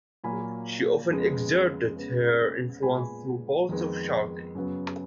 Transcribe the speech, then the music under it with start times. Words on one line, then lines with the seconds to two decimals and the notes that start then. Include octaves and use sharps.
She often exerted her influence through bouts of shouting.
0.24 A#2 F#3 A#3 G#5 B5
1.10 F2 C#3 G#3 B3
1.96 C#3 G#3 B3
2.83 A#2 G#3 B3 G#5 B5
3.69 F2 D#3 G#3 B3
4.55 F#2 C#3 F#3 B3